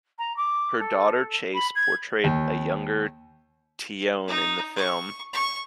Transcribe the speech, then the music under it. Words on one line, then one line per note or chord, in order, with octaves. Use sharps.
Her daughter Chase portrayed a younger Tionne in the film.
A#5
D6
A4
B5
G#6
D#2
D#4
C#6
C#6